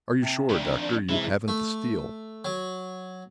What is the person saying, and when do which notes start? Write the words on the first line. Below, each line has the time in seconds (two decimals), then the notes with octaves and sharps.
"Are you sure, Doctor, you haven't the steel?"
0.22 C3 A5
0.50 F2 D#3 D4
1.09 C3 E3 G#3 E4
1.48 A3
2.45 F#3